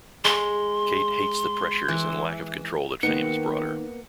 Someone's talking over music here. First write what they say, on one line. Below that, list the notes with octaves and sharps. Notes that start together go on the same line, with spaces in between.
Kate hates the pressures and lack of control that fame has brought her.
G#3 C6
E3
D#3 A#3 B3 D#4 C#7